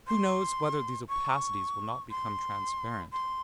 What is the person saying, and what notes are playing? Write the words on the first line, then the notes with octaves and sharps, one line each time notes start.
Who knows whether these opacities will not become transparent?
C6
C#6
C6
C6